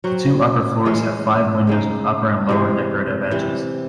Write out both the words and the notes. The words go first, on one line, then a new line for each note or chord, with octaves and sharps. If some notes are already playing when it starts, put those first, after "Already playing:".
The two upper floors have five windows with upper and lower decorative edges.
F#3 C4 F#4
E3 G#3 C#4
C#3 G#3 D#4
C3 E3 G#3
C3 E3 C4